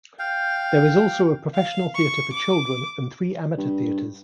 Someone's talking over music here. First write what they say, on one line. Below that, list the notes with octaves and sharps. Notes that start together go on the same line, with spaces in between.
There is also a professional theatre for children and three amateur theatres.
F5 G5
F5
C#6
D6
G2